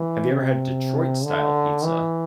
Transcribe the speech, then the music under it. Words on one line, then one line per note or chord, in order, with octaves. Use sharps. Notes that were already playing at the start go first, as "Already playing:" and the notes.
have you ever had Detroit-style pizza?
Already playing: E3
C3
D3
E3